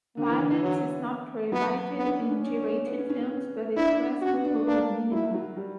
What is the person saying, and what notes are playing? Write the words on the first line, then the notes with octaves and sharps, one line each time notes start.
Violence is not prohibited in G rated films, but if present will be minimal.
D3 A#3
E3
D3
E3
F#3
F#3 B3
B3 D4
C#4
D4
C#4
C#4 D4
B3
C#4
C#4
C#4
D4 E4
F#4
B3
D4
B3
A#3 D4
F#3 E4
F#3
G3